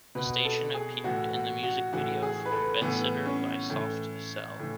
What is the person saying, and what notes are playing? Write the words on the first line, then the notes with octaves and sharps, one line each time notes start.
The station appeared in the music video for "Bedsitter" by Soft Cell.
B2 B4
A4
G#4
A2 E3 F#4
F#4
F#4
A2 E3 F#4
G#4
B4
A4
A2 E3 B3
C#4
A2 E3
A2 E3